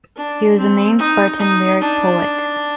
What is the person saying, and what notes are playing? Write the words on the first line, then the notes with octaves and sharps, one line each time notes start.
He was the main Spartan lyric poet.
D4
C4
D#4
D#4
D4